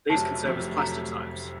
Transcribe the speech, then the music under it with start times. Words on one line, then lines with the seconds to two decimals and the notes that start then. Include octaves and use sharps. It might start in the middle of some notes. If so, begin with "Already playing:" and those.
These can serve as plastotypes.
0.10 F1 F2 C3 F#3 A3 A5
0.44 F1 F2 C3 F#3 A3
0.78 C3 F#3 A3 A#5